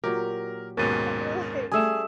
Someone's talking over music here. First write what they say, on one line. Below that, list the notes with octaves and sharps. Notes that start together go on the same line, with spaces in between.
you're like
A#2 F#3 G4 A#4
D#2 G#2 B2 C#4 A#4 A6 D#7
G3 A3 G#4 G#5 D#6 E6 E7